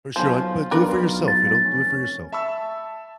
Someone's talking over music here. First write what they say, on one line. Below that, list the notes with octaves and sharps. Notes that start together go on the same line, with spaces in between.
For sure, hon, but do it for yourself, you know, do it for yourself.
B1 F3 C#4 F4
B1 D4 A#4 B4
A6
F1 C#4
E5 A5 B5 C#6 E6